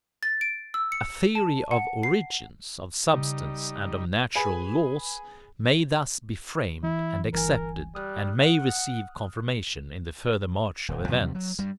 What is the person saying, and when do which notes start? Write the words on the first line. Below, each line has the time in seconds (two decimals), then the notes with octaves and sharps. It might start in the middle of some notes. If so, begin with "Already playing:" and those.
A theory of origins, of substance, and of natural laws may thus be framed and accepted, and may receive confirmation in the further march of events.
0.23 A6
0.41 D7
0.74 E6
0.92 C#7
1.35 A5
1.71 F#5
2.03 C7
3.13 C#3 G3 D#4
4.35 G#4 B4 G#5 B5
6.83 E3 E4
7.33 G1 E3 A#4 G#5
7.95 G3 D#6 F6 F#6
8.39 F#5
10.88 D#1
11.08 E2 C3 F#3 G3
11.35 F#3
11.59 G2 G3